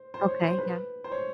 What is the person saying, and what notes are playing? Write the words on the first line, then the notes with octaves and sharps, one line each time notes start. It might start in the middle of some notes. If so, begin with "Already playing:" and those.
Okay. Yeah.
Already playing: C5
C5
C#5
C5
B4
C5
C#5